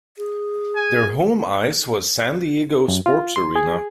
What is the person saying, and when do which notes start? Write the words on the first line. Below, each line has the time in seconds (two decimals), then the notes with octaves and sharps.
Their home ice was San Diego Sports Arena.
0.18 G#4
0.76 G#5
2.88 F#2
3.06 F4
3.36 C6
3.56 G#4